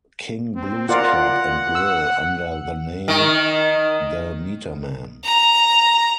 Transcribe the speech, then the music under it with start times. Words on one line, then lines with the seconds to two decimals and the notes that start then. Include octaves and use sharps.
King Blues Club and Grill under the name The Metermen.
0.56 C4
0.89 F4 A#4 D5 F#5
1.75 E6
3.08 D#3
5.24 A#5